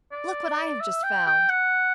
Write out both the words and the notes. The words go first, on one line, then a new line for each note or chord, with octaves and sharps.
Look what I have just found!
D5
E5
G5
G5
F#5